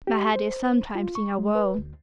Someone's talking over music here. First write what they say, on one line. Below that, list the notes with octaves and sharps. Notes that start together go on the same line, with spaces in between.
My head is sometimes in a whirl.
G4
C5
F4
C#6
G#3
B4
D2